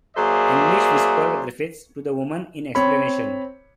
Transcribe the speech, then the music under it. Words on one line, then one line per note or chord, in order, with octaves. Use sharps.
"English," whispered Griffiths to the woman, in explanation.
F#3 A#3 G#4 C5 D5 E5
C4 C#5 B5